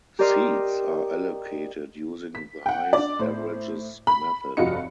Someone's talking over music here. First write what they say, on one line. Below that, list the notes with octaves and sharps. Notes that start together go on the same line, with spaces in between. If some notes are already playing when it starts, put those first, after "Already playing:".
Seats are allocated using the highest averages method.
G4 A#4 D5 D#5 C6 F6
B6
F#5 G5
D4 D5
A2 C5
B5
F1 G2 F4 F#4 D#5 C#7